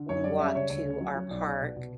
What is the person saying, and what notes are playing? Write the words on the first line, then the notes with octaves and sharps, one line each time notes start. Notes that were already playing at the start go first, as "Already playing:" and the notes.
we walk to our park
Already playing: D3
F#2 C#5
G3 D5
C#4 E5
C#3 C#5
D2 C#5
C#4
F#3
F#3
B1 D5
B1
B2
B2